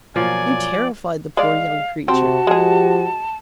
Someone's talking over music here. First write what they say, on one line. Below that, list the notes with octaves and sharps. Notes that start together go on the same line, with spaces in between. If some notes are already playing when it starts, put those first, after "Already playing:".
You terrified the poor young creature.
B2 F3 F#3 A#3 D5 G#5
G#3 D5 F5
C3 C4 F#4 A5
F3 G#3 G4 G#4